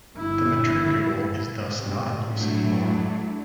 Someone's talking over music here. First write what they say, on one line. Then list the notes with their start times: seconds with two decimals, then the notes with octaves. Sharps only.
The matricule is thus not in use anymore.
0.15 G1 E4
1.79 C3 C4
2.32 F#3 A3 D4 E4